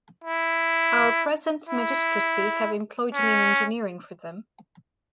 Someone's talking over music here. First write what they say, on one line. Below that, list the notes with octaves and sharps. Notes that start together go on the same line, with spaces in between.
Our present magistracy have employed me in engineering for them.
E4
E4
C#4